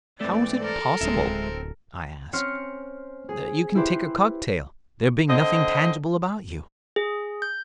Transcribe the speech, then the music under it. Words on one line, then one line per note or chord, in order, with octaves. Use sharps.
"How is it possible," I asked, "that you can take a cocktail, there being nothing tangible about you?"
G#2 E3 A3 C4 D5
A4 A#4
D1 G#3 C4 E4
C4 C#4 C5 F6 C#7
G#4
E4 G4 B4 C5 E5
D3 C4 D#5
G#4
G6